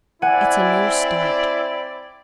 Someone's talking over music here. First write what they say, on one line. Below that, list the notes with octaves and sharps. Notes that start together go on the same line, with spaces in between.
It's a new start.
C4 E4 D5 F#5 G#5